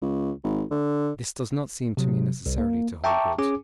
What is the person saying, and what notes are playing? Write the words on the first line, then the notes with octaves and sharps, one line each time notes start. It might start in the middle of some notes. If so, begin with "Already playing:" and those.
This does not seem to me necessarily to hold good.
C#2
G#1
D3
C3 F#3
C2
A#3
E5 G5 A5 A#5 C#6 D6
C#4 G#4 G#5 D6